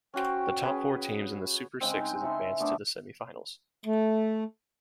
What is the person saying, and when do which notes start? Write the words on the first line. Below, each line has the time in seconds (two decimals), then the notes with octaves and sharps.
The top four teams in the Super Sixes advanced to the semi-finals.
0.14 C#4 F#4 C5 G5
0.63 C#4 G#4 B4
1.81 C#3 G#3 C4
1.94 D#4
2.21 C#3 E4 A4 C6
2.61 A3 B3 D4 C5
3.86 A3